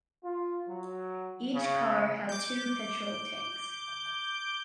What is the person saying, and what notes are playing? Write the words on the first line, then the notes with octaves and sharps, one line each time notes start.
Each car had two petrol tanks.
F4
F#3
C#3
D6 G6